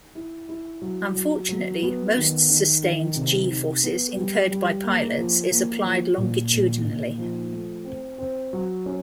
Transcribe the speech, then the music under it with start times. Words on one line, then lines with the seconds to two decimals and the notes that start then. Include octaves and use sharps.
Unfortunately most sustained "g"-forces incurred by pilots is applied longitudinally.
0.15 E4
0.49 E4
0.82 F#3
1.15 F#3
1.49 F#3
1.82 B3
2.16 D#3
2.49 D#3
2.83 D#3
3.16 C3
3.49 D#4
3.83 B3
4.16 G3
4.51 G3
4.84 A#3
5.18 F3
5.51 A#3
5.84 F3
6.17 A#2
6.52 A#2
6.85 A#2
7.18 F3
7.52 A3
7.85 C4
8.18 C4
8.53 F#3
8.86 C#4